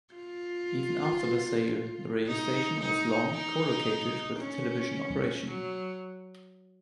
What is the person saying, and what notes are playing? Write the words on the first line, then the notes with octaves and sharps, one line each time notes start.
Even after the sale, the radio station was long co-located with the television operation.
F4
D#4
D#4
D#4
C#4
F#3